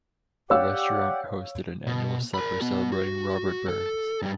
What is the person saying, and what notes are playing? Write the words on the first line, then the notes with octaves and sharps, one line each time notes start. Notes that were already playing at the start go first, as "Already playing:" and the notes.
The restaurant hosted an annual supper celebrating Robert Burns.
G4 C#5 D5 F5 F#5 E6
B2
A#4 B5
B3 F#4
F#4
A4
G2 G3